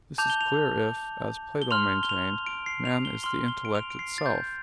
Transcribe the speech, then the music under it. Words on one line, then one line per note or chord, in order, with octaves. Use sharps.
This is clear if, as Plato maintained, man is the intellect itself.
A5 D6 G6 F7
G7
F7
G7
C6 F6 F7
G7
F7
D7
C7
F7
G7
C6 F6 G7
G7
D7
F7
D7
C7
A6
G6